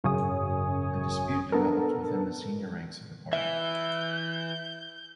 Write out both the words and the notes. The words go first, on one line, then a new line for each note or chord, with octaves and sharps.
A dispute developed within the senior ranks of the party.
G#1 F#2 C#3 C#5 G#5 D#6
B3 D4 A4 A#4
E3 E5 G6